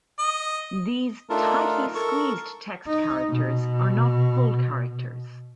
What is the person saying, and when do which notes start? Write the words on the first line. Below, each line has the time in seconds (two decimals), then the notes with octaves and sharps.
These "tightly squeezed" text characters are not full characters.
0.19 D#5
1.30 A3 D4 D#4 F4 A4 A#4
1.95 A4 A#4 C#6
2.87 D#4
3.29 B2